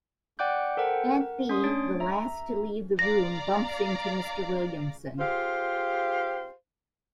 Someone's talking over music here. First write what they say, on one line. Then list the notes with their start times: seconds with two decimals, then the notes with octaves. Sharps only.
Aunt Bea, the last to leave the room, bumps into Mr. Williamson.
0.39 D5 F#5 G5 D6 F#6 G6
0.77 A4 A#4 C5 F#5 G5
1.20 A#4 F#5
1.49 C#4 C6 D#6
1.64 A3 D4 C#5 A6 D7
2.00 E5 A#5
2.99 D5 F5 A#5 A#6
5.19 F4 G4 G#4 C5 F5